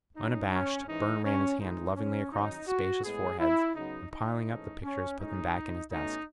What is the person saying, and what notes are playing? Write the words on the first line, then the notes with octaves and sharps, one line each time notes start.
Unabashed, Burne ran his hand lovingly across the spacious foreheads, and piling up the pictures put them back in his desk.
A2 F#3 C#4 D#4
C#4
G#2 E3 G#3 C#4 D#4
C#4
A2 E3 G#3 D#4
C#4
D#3 F#3 C#4 D#4
F#4
A2 G#3 B3 G#4
E4
C#3 F#3 B3 D#4
D#4
G#2 E3 A3 C#4
C#4
A2 G#3 C#4 D#4
B2 A3 C#4 D#4